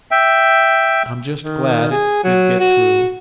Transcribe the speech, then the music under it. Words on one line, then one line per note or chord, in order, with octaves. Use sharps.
"I'm just glad it did get through."
E5 G5
D#3
G#4
F#3
F#4